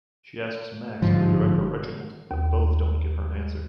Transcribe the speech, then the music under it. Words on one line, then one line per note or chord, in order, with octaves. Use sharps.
She asks Max and the director Reginald, but both don't give her an answer.
G1 G#2 F3
D#2